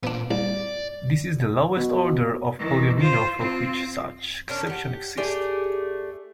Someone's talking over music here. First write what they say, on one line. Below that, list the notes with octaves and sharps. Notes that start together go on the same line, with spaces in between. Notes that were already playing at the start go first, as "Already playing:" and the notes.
This is the lowest order of polyomino for which such exceptions exist.
A#2 B3 D4
C2 D5
B2
D#3 E3
F4 C5
C4 F4
C#4 D4 A#4
G4 F#5
A3 G4 G#4 D5